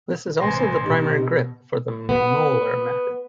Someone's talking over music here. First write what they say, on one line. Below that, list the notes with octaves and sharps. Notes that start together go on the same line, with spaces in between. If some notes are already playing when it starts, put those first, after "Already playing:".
This is also the primary grip for the Moeller method.
A1 C3 B4 C5 G#5 C6 A#6
B2 D#4 G4
B3